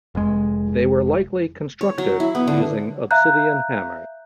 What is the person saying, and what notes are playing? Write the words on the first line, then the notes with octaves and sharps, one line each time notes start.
They were likely constructed using obsidian hammers.
F1 G#3
C#5
F#3
E4
B3
D3
E5 F5 A#5 F#6 G6